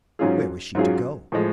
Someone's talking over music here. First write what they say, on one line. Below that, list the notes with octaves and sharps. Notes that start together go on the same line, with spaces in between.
Where was she to go?
G#2 F#3 C#4 F4 G#4
G#2 F#3 C#4 F4 G#4
A2 F3 G#3